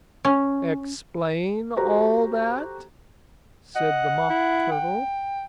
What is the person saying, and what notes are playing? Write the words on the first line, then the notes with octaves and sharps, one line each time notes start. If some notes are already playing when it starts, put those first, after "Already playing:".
'Explain all that,' said the Mock Turtle.
C#4
F#4 G4 A4 C5 A#5
D#5 F#5
E4
G5